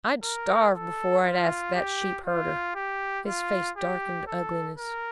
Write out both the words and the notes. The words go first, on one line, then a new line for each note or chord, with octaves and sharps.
"I'd starve before I'd ask that sheepherder!" His face darkened to ugliness.
A#4
A4
F4
G4
F4
G4
F4
G4
A4
A#4